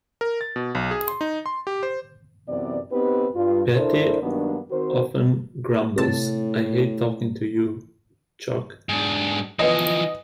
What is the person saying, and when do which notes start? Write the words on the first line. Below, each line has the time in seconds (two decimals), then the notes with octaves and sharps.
Patty often grumbles, I hate talking to you, Chuck!
0.21 A#4
0.41 A6
0.56 B2
0.75 B1
0.91 G#4
1.08 C6
1.21 D#4
1.46 C6
1.67 G4
1.83 C5
2.48 F#2 C3 E3 B3 D5
2.92 B3 C4 D#4 G4 B4
3.35 G2 F4
3.75 D4 E4 A4 A#4 C5 D5
4.22 G2 D#3 F#3 A#3 B3 D4
4.71 D#3 C4 F#4 A#4 C5
5.98 A2 C3 A5
8.89 G#2 D4
9.59 E3 F3 B3 D#5